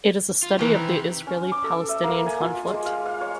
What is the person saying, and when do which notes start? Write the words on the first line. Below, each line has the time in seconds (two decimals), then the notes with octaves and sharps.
It is a study of the Israeli-Palestinian conflict.
0.43 F4
0.59 D#3 E3 C4 G4 A#5
1.27 C#4
1.52 D6
1.64 A4
1.89 E5
2.03 A#3
2.26 G#5
2.41 F4
2.67 G#3
2.86 F5
3.06 F5
3.21 C#5